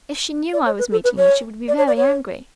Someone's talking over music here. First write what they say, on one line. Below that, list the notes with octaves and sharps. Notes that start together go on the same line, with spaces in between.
If she knew I was meeting you she would be very angry.
D5
C#5
B4
A4
B4
C#5
D5
C#5
D5
C#5